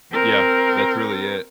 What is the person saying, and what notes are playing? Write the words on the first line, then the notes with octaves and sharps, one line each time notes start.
Yeah, that's really it.
C4 A#4